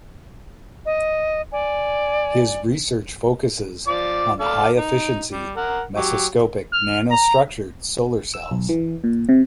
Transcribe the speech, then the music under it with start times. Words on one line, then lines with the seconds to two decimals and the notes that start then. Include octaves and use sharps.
His research focuses on high efficiency mesoscopic nanostructured solar cells.
0.86 D#5
1.51 D5 G#5
3.88 F3 D5 D6
4.40 A4 D5 F5
4.78 D#4
5.32 G3
5.57 A#4 F#5
5.96 F#3 G4
6.73 F6
7.11 A#5
8.34 E6
8.51 B1
8.69 E3
9.04 A#2
9.29 C3